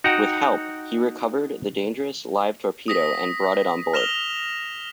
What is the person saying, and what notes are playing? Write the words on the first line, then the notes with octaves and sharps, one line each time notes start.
With help, he recovered the dangerous live torpedo and brought it on board.
D#4 F#4 F#5 G5 A#5
D#6 A#6 B6
F6 A#6 E7 F7 G7